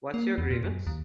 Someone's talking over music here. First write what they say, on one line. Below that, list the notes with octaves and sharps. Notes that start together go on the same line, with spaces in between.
What’s your grievance?
A#3
E2
A#2
F#2
D#2